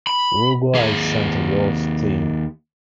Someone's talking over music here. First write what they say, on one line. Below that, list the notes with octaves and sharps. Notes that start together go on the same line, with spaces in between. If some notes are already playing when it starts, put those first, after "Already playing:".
Uruguay sent a youth team.
B5
D#2 G#4